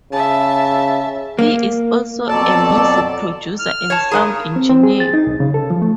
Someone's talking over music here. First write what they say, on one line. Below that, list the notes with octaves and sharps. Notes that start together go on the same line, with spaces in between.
He is also a music producer and sound engineer.
C#3 E5 A5
A#3
F2 B2 F#3 A4 D5 A5
F6
C#5 A5
G2 F3 G#4 A#4
C4
C4
G#4
A6
D#4
C2
C#3
A4
F3
A3